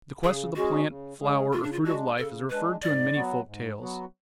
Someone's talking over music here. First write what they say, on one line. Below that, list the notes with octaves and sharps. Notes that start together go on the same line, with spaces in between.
The quest of the plant, flower, or fruit of life is referred to in many folk tales.
C#3 G#4
G#3 C#4 F#4 G#4
C#3
G#3 C#4 G#4
C#3 F4
D4
F4
G#3 D4 F#4
C#3 A4
G#3 D4 B4
G#2 D5
F#3 B3 F#4
G#2
F#3 B3 F#4